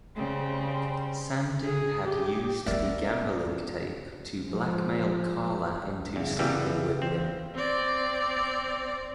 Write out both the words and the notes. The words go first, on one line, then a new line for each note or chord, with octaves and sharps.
Sandy had used the gambling tape to blackmail Carla into sleeping with him.
C#3 G3 C4
G#4
G4
B3 C#4 A#4 D5 E5
F3 G#3
C#2
E2 C#3
F#2 C#3 E3 G3
E3 C4
C4 D5